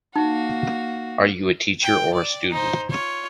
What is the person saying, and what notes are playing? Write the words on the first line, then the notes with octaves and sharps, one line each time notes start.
Are you a teacher or a student?
A#3 D#4 F#4
G5
D5
D#4 C5
F4 C#5